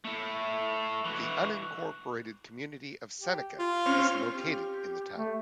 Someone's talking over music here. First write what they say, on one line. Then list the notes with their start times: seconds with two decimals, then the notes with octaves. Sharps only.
The unincorporated community of Seneca is located in the town.
0.05 A3 E4
1.05 E3 F#4
3.21 G4
3.59 F4
3.86 C4 C#4 F6
4.33 G4
5.14 A3